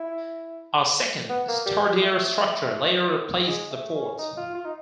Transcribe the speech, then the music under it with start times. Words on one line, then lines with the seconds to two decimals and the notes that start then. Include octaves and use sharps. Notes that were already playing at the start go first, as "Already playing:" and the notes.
A second, sturdier structure later replaced the fort.
Already playing: E4
1.29 B3
1.48 A#3
1.66 G3
1.85 G3
2.02 A3
3.47 G#3
3.71 A3
3.95 C#4
4.18 D#4
4.37 F4
4.55 F4
4.65 D#4